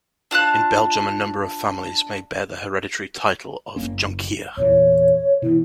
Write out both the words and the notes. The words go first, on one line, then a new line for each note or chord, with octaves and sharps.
In Belgium, a number of families may bear the hereditary title of "Jonkheer".
D4 F4 A5 F#6
F#1 A#3 C#4
E2 A#2 E3 C#5
B2 E3 E4